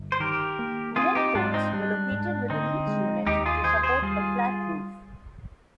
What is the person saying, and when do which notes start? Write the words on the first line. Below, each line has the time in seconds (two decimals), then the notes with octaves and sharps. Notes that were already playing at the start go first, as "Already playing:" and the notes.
Wooden poles were located within each unit to support a flat roof.
Already playing: G1
0.12 C5
0.20 D#3 G4 A#4
0.59 A#3
0.96 C4 F4 G#4
1.15 D#4 G4
1.35 G#2 D4 F4
1.54 C4 D#4
1.73 G3 D4
2.12 G#2
2.50 D3 C4 D#4
2.87 G#3
3.27 D#2 D#4 G4
3.46 F4 G#4
3.64 D#2 G#4 C5
3.83 G#4 C5
4.02 G3 F4 G#4